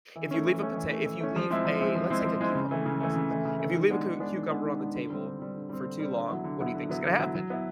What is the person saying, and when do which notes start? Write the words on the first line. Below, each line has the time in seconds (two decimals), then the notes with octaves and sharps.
If you leave a pota if you leave a let's take a cucumber, for instance. If you leave a cu cucumber on the table for too long, what do you thinks gonna happen?
0.16 E3
0.31 A3 C#4
0.46 E3
0.60 A3 C#4
0.75 E3
0.91 A3 C#4
1.05 E3
1.21 A3 C#4
1.36 F3
1.50 G#3 C4 E4
1.65 F3
1.80 G#3 C4 E4
1.96 F3
2.10 G#3 C4 E4
2.25 F3
2.41 G#3 C4 E4
2.55 C#3
2.71 E3 A3
2.86 C#3
3.01 E3 A3
3.16 C#3
3.30 E3 A3
3.45 C#3
3.60 E3 A3
3.75 D#3
3.90 G#3 B3 D4
4.05 D#3
4.20 G#3 B3 D4
4.35 D#3
4.50 G#3 B3 D4
4.65 D#3
4.80 G#3 B3 D4
4.95 D3
5.10 G3 C4
5.24 D3
5.40 G3 C4
5.54 D3
5.69 G3 C4
5.85 D3
5.99 G3 C4
6.15 D3
6.30 F#3 B3 E4
6.44 D3
6.60 F#3 B3 E4
6.75 D3
6.89 F#3 B3 E4
7.04 D3
7.19 F#3 B3 E4
7.35 F#3
7.50 B3 E4